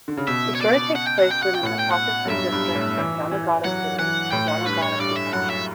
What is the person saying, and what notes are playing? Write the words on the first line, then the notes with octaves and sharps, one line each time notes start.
The story takes place within the Takase district of Yamagata City, Yamagata Prefecture.
D3
C#3
B2 E5
C#5
D5
F#5
G5
F#5
G5
F#5
G5
A2 F#5
G5
F#5
F#2
G2 E5
G2
A2
E3
E3
F#3 F#5
E3 F#5
A2 G5
F#5
G2 B4
C#5
G2 D5
E5
F#2 F#5
E5